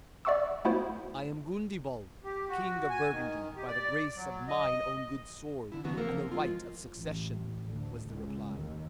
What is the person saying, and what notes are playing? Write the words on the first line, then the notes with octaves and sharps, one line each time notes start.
"I am Gundebald, King of Burgundy by the grace of mine own good sword and the right of succession," was the reply.
D5 E5 F#5 C#6 D6 E6
A3 B3 E4 F#4 C5
G4
F#4
G#5
D#3
G4
D5
F#3
D#5
D3 E4
E2 D3 E3 F#3 B3 F#4
F3 A#3 C4 A4 A#4
F3 G#3 F4
A1
D2
C#2
D#2